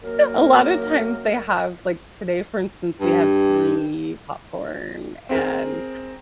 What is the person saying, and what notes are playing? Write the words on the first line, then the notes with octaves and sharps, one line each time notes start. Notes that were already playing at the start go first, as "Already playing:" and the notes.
a lot of times they have, like today, for instance, we had free popcorn and
F#2 A#3 A#4
G2
C4 G#4 A#4